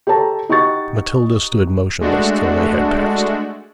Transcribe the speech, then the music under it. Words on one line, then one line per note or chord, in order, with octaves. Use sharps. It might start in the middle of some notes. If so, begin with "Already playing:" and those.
Matilda stood motionless till they had passed.
G4 A4 C#5 A5 A#5
D#4 F#4 G4 C#6 A6
G#3 A3 D4 F#4